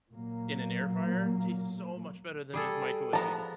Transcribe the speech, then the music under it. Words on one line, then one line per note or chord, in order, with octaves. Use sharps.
in an air fryer, tastes so much better than just microwaving.
A#2 F#3 A#3
G3 G#4 A4
F3 G#3 B3 A5 A#5